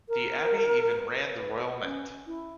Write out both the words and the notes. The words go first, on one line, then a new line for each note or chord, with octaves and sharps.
The Abbey even ran the Royal Mint.
A#4
B4
C#4
E4